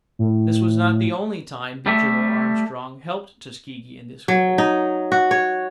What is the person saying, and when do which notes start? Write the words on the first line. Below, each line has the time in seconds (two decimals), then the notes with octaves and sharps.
This was not the only time that General Armstrong helped Tuskegee in this way.
0.19 A2
1.86 G3 A3 E5
4.28 F#3
4.58 D#4
5.12 F#4
5.31 C#5